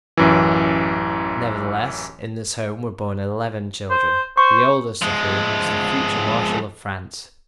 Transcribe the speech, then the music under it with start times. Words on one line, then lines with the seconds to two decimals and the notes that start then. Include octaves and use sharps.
Nevertheless in this home were born eleven children, the oldest of whom was the future Marshal of France.
0.17 A1 F#2 E3
3.90 C5
4.37 C5 C#6
5.02 F3 G#3